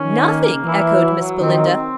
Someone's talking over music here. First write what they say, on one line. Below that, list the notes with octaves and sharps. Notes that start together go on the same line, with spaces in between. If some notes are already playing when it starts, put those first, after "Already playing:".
"Nothing!" echoed Miss Belinda.
Already playing: D#3 C#4
A#3
A#3
E3 E4
F#3
F#3
D#3 C4
C4